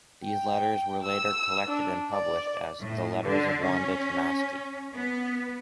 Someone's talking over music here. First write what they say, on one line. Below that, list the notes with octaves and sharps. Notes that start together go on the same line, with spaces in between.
These letters were later collected and published as "The Letters of Wanda Tinasky".
G5
E6
D4
D5
A2
D3
C#4
B3